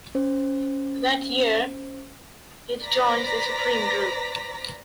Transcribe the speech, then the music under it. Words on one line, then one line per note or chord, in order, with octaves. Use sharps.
That year it joins the Supreme group.
C#4 C5
B4 C5 D5 A#5 A#6 B6